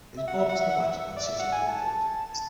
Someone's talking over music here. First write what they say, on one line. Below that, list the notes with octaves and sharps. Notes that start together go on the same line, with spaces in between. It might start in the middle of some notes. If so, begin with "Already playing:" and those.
It is bordered to the west by the city of Winfield.
E5
F#5
E5
F#5
E5
F#5
E5
D5
E5
F#5
G#5
A5